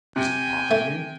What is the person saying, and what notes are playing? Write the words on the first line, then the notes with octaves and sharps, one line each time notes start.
"Does it bother you?"
C3 G5 G#5
A3